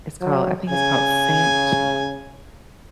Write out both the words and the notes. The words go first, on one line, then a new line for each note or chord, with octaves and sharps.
it's called I think it's called Saint
F#3
C#3 G#5